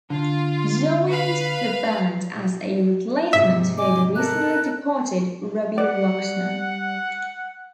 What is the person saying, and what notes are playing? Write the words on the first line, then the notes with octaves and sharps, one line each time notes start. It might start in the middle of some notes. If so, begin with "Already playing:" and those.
Joined the band as a replacement for the recently departed Robby Lochner.
D3 F4
B4 F5
G#2 C3 E5
D#5 G#5 D6
A4 A#4 F#6
G3 D5 F#5